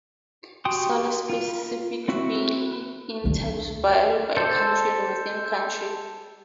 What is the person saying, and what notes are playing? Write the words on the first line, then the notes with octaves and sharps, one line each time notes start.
Solar-specific feed-in tariffs vary by country and within countries.
F#4 G4 G5 C6 D#6
F4
C4 E4 F#4 E5
D2 D3
A4 C5